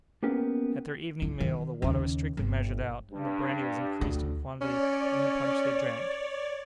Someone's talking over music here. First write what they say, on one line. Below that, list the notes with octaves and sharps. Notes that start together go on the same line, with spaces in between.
At their evening meal, the water was strictly measured out, and the brandy was increased in quantity in the punch they drank.
A#3 B3 C#4 G4 A#4 B4
E4
D#3
D#2 C#3
G1
G2
D2
C#4 C#5 D5